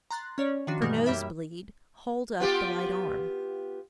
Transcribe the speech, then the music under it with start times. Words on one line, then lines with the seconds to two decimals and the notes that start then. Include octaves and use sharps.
For nose-bleed, hold up the right arm.
0.11 A#5 C6 F#6 A6
0.38 C#4 C#5 D5
0.67 D#3 F3 D4 F#4
0.82 G2 B2 E3 G#3 A#3 D#4
1.06 F#2 G3 A#3 G4 E5 B5
2.40 B3 F4 G4